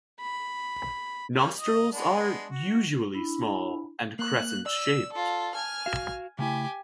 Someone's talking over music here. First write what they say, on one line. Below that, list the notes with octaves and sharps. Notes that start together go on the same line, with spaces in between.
Nostrils are usually small and crescent shaped.
B5
G3 A#3 C#4
D#5
G#3 B3 D4
F#4
D4 E4 B5
A#3 F#6
D5 E6
F4 A4
G#5 F6
F#4 F5
C#3 A3 E4 G4 G#5